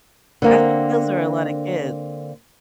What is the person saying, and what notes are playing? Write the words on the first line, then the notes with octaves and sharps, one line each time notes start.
That's those are a lotta kids.
D3 A#3 C4